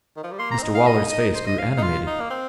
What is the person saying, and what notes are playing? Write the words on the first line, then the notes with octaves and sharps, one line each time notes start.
Mr Waller's face grew animated.
D#3
F3
G3
A#3 C6
A#5
C4
D#4
F5
D#5
D#5
C5
D#5
F5
F5
D#4
F4
D#4
A#3
C4